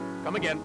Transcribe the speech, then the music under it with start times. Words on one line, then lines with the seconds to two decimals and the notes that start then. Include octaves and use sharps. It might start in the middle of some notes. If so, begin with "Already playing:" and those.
come again."
Already playing: A2 F#3 C#4 G#4 B4
0.37 E2 D#3 G#3